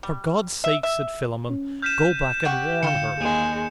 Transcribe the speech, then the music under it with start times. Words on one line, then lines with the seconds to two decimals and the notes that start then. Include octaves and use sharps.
'For God's sake,' said Philammon, 'go back and warn her!
0.03 G3
0.64 E5
0.83 E5
1.50 C#4
1.82 F6 G6 B6 D#7 E7
2.45 G4 F#5 C#6
2.83 D3 F4 G5 C6 C#7 E7
3.17 D#2 G#3 G#4